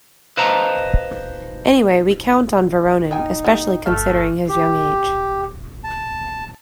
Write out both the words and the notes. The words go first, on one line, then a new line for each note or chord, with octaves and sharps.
Anyway, we count on Voronin, especially considering his young age.
B4 C5 D#5 F5 A5 A#5
A#3 D#4 G5 G#5
B3 G4 G#4
G1 A3 A4 F5 F6
G4
A5